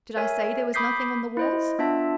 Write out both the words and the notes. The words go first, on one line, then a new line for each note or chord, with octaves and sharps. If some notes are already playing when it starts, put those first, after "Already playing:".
Did I say there was nothing on the walls?
A#4 C#5 E5 G#5
B5 D6 D#6 G6 B6 C7
E4 C5 D#5
B3 D4 F4 E5 A5